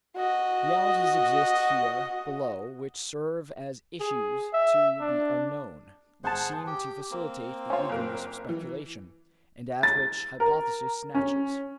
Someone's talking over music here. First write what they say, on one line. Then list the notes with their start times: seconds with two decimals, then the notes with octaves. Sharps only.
Realities exist here below which serve as issues to the unknown, which seem to facilitate the egress of speculation, and at which hypothesis snatches.
0.16 F#4 D#5
4.01 G#4
4.54 E5
5.01 D4
6.24 G1 G#4 C5 F#5 A5
6.67 G4
7.11 A#3 C4
7.70 C#4 F4 C5 C#5
7.89 F#1 A#4
8.49 E3
9.83 A6
10.40 A#4
11.15 C#4